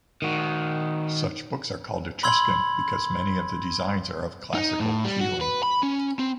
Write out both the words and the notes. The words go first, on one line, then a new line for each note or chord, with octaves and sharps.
Such books are called Etruscan, because many of the designs are of classical feeling.
D#3 F#4
B5 C6 E6 G#6 F#7
D#4
A2
G3
F#4
B4
B5
C#4
C4